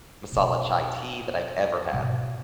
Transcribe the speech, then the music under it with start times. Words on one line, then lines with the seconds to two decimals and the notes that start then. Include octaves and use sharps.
masala chai tea that I've ever had.
0.32 B2 D4
1.93 G#2 B2